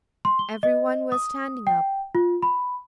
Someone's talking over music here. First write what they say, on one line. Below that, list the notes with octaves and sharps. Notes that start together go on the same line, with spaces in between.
Everyone was standing up.
C6
G7
D#5
D#6
G5
F4
B5